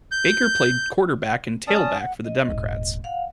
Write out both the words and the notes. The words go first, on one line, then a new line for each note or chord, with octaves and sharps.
Baker played quarterback and tailback for the Democrats.
G6
C#4 D5 A5 D#6
F#5
D#5
D#1 G#1
F5 F#5